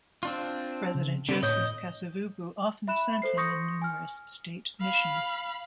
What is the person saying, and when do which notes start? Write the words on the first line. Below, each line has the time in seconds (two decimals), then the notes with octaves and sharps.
President Joseph Kasavubu often sent him in numerous state missions.
0.23 C4 D4 F4
0.95 C#3
1.29 D3 B3 C4
1.43 A2 C#5 D#5 G6
2.88 E5 B5 F#6 E7
3.22 A4 C5 C7
3.37 C6 C#6 D#6 G6 A#6 C#7
3.82 G#5 F6
4.81 F5 B5